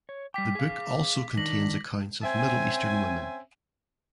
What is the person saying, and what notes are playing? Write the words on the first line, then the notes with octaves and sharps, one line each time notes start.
The book also contains accounts of middle eastern women.
C#5
G3 G5 D6 B6
G#4 F5
D#3 D4 D#4 A#6 F#7
C4 C#4 E5 G#5